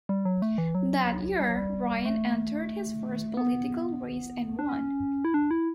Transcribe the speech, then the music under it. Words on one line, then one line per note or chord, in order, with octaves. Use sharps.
That year, Ryan entered his first political race and won.
G3
F#3
A3
E3
F#3
G3
F#3
G3
A3
B3
D4
C#4
E4
D4
E4